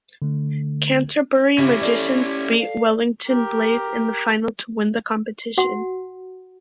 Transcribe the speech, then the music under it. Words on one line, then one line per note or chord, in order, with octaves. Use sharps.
Canterbury Magicians beat Wellington Blaze in the final to win the competition.
D3 A3
C#3 C#4 E4 G4
A4 D5
G4
F5
G4 A#4
F#4 F#5